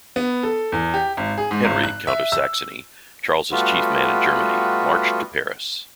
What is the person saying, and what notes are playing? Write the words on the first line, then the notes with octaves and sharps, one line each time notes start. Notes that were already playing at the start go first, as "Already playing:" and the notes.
Henry, Count of Saxony, Charles' chief man in Germany, marched to Paris.
B3
A4
E2
G4
G#1
G#4
G#2
G#1
F#6
E5
E6
G3 A3 B3 F4 F#4 B4